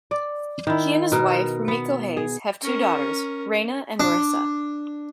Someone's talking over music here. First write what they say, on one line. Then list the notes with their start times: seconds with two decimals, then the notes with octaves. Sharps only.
He and his wife, Rumiko Hayes, have two daughters, Reina and Marissa.
0.11 D5
0.67 D#3 E4
1.12 B2 A#4
1.68 B3
2.17 G#4
2.62 C#4 A#4
4.00 D4